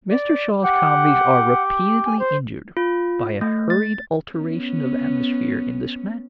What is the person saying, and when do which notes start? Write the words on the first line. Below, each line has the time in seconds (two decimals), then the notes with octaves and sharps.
Mr. Shaw's comedies are repeatedly injured by a hurried alteration of atmosphere in this manner.
0.09 D5
0.63 G4 F#5
2.05 G#5
2.19 C5
2.77 F4
3.41 A3
3.70 A6
4.35 B3 C#4